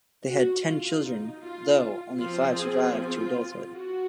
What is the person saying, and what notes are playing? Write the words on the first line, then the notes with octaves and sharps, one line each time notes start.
They had ten children, though only five survived to adulthood.
F#4
F4
D#4
F4
F3 C4 F4
G#4
F4
F#4